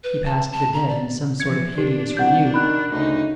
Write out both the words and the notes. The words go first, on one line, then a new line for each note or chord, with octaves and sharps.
He passed the dead in some sort of hideous review.
B4
A5
A5
A#5
D5
E3 F3 G#6 C#7
D4 G4
C2 F#5 G6
D#3 B5 F#6
D2 C#3 D#4